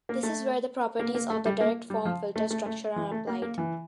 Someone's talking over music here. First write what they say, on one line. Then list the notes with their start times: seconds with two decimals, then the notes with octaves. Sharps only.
This is where the properties of the direct-form filter structure are applied.
0.09 A#3
0.23 A3
0.99 A#3
1.15 A#3
1.30 A3
1.46 G3
1.60 A#3
1.90 G3
2.05 F3
2.36 A3
2.50 A3
2.66 A3
2.96 E3
3.12 A3
3.27 A#3
3.42 A#3
3.58 E3